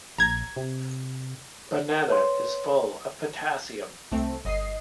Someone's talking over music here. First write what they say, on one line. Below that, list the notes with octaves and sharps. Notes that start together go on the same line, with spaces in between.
Banana is full of potassium.
A#1 A#5 G#6
C3
B4 C#5 C6
C2 A3 C4
G1 D#5 C7